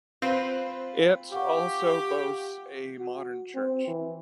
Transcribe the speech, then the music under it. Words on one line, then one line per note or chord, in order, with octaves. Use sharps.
It also boasts a modern church.
C4 F4 B4
G4 F5 F#5 C#6
F#4
C4
E3